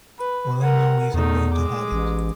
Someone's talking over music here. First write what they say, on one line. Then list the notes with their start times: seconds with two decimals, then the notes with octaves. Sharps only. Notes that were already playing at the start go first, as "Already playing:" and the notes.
All I know is, I'm going to have it.
0.19 B4
0.62 A#4 F#5
1.14 E2 A3 D#4
1.53 G#3 D6
1.92 A1